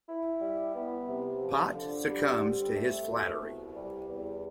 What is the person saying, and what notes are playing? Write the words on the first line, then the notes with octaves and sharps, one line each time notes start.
Pot succumbs to his flattery.
E4
G3
B3
C3
F3
D3
G3
C4
A3
B2
C2
G3
E2